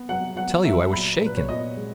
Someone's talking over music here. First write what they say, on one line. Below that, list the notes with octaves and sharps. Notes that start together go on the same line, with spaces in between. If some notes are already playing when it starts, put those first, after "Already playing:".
I tell you I was shaken.
Already playing: B3
F#3 F#5
F#3 F#5
F#3 E5
A#2 B5
A#2
B4
C#5
A#2 D#5
G#3